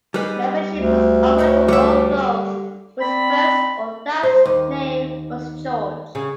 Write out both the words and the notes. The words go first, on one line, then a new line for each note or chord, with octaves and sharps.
Membership was open to all those whose first or last name was George.
G3 D#4 G#4 B4
D2
E4 B4 C#5
D3 G3 A4 C#5 E5
C4 D5 B5
C5
D#2
C#3